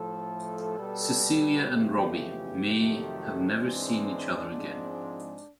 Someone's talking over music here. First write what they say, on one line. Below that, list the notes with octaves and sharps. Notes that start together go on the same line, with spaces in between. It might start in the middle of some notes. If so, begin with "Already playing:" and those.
Cecilia and Robbie may have never seen each other again.
Already playing: A2 F3 A3 A4
B2 G3 B3
F2 C#3 E3 A3 G4
F2 C3 D#3 F#3 A3
G#2 E3 G#3 C4 D4
G#2 F3 G#3 C4